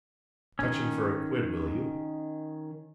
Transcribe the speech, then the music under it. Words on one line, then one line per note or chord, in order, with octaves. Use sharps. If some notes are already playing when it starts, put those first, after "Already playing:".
Touch him for a quid, will you?
D#3 C#4